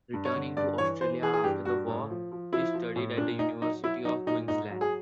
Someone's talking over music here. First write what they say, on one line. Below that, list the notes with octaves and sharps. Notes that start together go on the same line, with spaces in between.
Returning to Australia after the War, he studied at the University of Queensland.
G2
C#5
D3
G2 D5
E3 C#5
E3 C5
E3 G#4
G#4
G2 G4
G2 F#4
A2
F3
F3
F3 E4
F3
A2
A#2 D4
A#2 D#4
F#3 D#4
F#3 E4
F#3 D#4
A#2 D#4
G#2 D#4
F#3
G#4